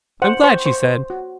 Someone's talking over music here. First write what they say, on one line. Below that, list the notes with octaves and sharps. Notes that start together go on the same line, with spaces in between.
"I'm glad," she said.
C5 F#5
C5 C#6
C5 C#6
C5
F#4